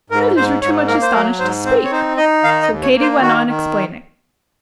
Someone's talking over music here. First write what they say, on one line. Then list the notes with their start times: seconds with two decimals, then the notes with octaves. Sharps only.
The others were too much astonished to speak, so Katy went on explaining.
0.10 G#2 A#4
0.36 G#2 C5
0.62 G#2 C#5
0.88 A#3 A#4
1.02 C5
1.14 F#3 A#4
1.39 G#2 C5
1.65 C4 C5
1.84 C#5
1.92 D#4 C5
2.17 D#4 D#5
2.44 D#3 F5
2.63 D#5
2.69 D#2
2.83 C#5
2.96 A#3
3.01 C5
3.21 D#3 F#4
3.47 D#3